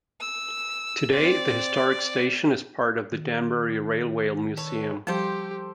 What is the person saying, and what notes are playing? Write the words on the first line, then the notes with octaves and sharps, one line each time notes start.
Today, the historic station is part of the Danbury Railway Museum.
E6
C4 D5
D#3
A4 B4 C#5
F3 G3 G4 A4 C5